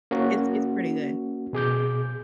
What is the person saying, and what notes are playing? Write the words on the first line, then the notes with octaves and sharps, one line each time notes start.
It's it's pretty good.
A#3 C#4 F#4
B2 G#4 D6 G6